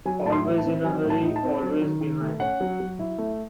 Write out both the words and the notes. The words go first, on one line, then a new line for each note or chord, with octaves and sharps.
Always in a hurry, always behind.
F#3 G#5
A2 A5
C6
E4
A5
C4
F#3 G#5
A2
A5
D#4
A5
C4
F#3
D#3
D#3
A3
C#4 F#5
F#3
F#3
E4
A3